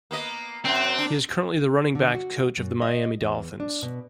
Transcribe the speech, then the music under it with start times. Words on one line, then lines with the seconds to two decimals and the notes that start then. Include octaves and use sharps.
He is currently the running backs coach of the Miami Dolphins.
0.11 A#3 B3 D#5
0.65 F#2 C4
0.98 D4
1.95 D3
2.14 F#4
2.57 F#2
2.82 D#5
3.21 E2
3.60 D4
3.83 B2